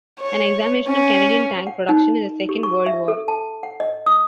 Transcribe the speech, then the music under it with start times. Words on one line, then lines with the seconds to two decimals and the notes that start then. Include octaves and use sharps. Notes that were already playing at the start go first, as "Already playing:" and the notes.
An examination of Canadian tank production in the Second World War.
0.20 C#5
0.87 C#4
1.67 F#5
1.89 D#4
2.49 G4
2.63 C#6
2.86 E5
3.08 A4
3.28 A5
3.63 F#5
3.80 D#5
4.06 D#6